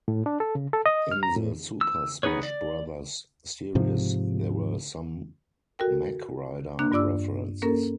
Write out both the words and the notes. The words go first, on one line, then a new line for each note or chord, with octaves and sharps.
In the "Super Smash Brothers series" there were some Mach Rider references.
A2
D4
A4
C#3
A4
D#5
F6
A#5
A2
E6
B3 D#4 G#4 B4 C#5
D5
G#2 C3 F3
F#4 A4 A#4 G5
A#3 D4 F#6
G2 F4 D5 D6 E6
A#3 C#4 A4 A#4